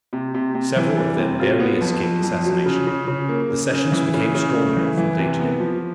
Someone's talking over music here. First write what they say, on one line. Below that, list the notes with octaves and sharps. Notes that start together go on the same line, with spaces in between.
Several of them barely escaped assassination. The sessions became stormier from day to day.
C3
C3
C3
E3
G3
C3
F#3 F4
B3
F2
F2
F2
F#3
C#3
C#3
C#3
A#3
C#3
C#3
E3
C#3
C#3
A3
E3
E3
C3
B3
F3